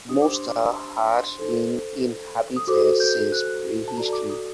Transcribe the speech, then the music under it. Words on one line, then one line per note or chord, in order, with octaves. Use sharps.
Mosta has been inhabited since pre-history.
D4 G4 C5 D#6
D6
C6
D6
C6
C6
D#4 A4 C5
D#6
F#4 A4 C5 D6
G6
F#6
A5
F#4 A4 D5 A#5
D6
D#6